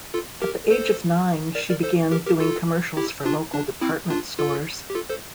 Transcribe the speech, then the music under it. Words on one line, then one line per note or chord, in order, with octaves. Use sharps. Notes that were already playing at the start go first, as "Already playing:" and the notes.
At the age of nine, she began doing commercials for local department stores.
F4 A4
G4 A#4
A4 C5
A#4 D5
A#4 D5
A4 C5
G4 A#4
G4 A#4
F4 A4
E4 G4
D4 F4
D4
C4 E4
D4 F4
F4 A4
G4
F4 A4
A4 C5